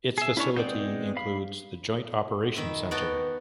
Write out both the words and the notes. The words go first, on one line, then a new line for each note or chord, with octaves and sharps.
Its facility includes the Joint Operation Centre.
G#4 E5
C#4 D4 E4 C#5
G#3 B3 C4 D5 G6
F5 B5
D#3 E5 B5
B3 F#4 G5 A5